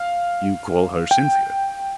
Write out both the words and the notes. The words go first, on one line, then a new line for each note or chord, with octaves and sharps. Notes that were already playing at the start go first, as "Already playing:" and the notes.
"You call her Cynthia?"
Already playing: F5
G5